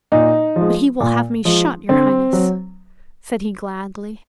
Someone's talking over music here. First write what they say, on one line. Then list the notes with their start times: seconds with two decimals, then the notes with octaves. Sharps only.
"But he will have me shot, your highness," said he gladly.
0.12 A#2 D#4
0.56 F3 G#3
1.00 A#2
1.45 F3 G#3
1.89 D3 C4
2.33 F#3